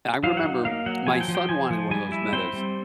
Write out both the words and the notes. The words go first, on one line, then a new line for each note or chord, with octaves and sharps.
I remember my son wanted one of those Metas,
F#3 F5
F#5
D#4
A#3 F5
F#3 F#5
F3 G#5
G5
F3
G5
F3 G#5
F3
G3 G#5
E4
C4 G5
G3